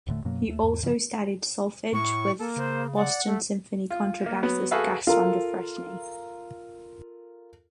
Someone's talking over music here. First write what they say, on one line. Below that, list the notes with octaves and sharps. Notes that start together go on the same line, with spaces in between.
He also studied solfege with Boston Symphony contrabassist Gaston Dufresne.
D#1 A2 D3 A3
F#2 B2 F#3 A#3
D#2 A3
E2 G#2
G2 C#3 E3 F3
A2 E4 C#6
A#3 A4
C#3 C5
D5 F#5
A3
F4
A#3
F#3 B3
F#4 G#4 A4 B4 E5 F5
F4 A4 A#4